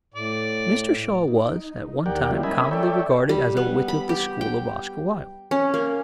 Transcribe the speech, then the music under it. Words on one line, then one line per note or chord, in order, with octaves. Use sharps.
Mr. Shaw was at one time commonly regarded as a wit of the school of Oscar Wilde.
A2 D5
D#4
D#2 G4 A#4 D5 F#5 G5
F#3 G3 A#3 C#4 E4 F4
C#4 A#4 D#5 E5 G#5 B5
A4 C#5 D5 E5 G5
G3
B3
B5
G4
G5
C#4
A#3